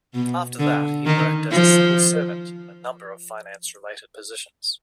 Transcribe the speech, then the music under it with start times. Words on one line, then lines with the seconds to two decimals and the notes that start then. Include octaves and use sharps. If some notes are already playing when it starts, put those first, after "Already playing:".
After that he worked as a civil servant in a number of finance-related positions.
0.14 B2
0.59 D3
1.06 D#3
1.52 F3